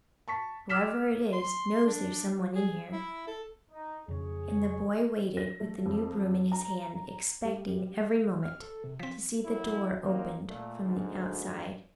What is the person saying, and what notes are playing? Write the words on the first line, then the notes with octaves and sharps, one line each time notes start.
"Whoever it is, knows there's someone in here." And the boy waited with the new broom in his hand, expecting every moment to see the door opened from the outside.
A5 C#6 B6
D6 E6 F6 B6 E7
C6
D4
G#4
E4
A4
D#4
F2 C#3 G#4 C#5
A#6
A3
F2
A#5
G3
F6
A4
C3
F3 C4 B6
F#3 A3 B3 E4
F#2 A#3 C4 D#4
A#2 A3
D2 G#2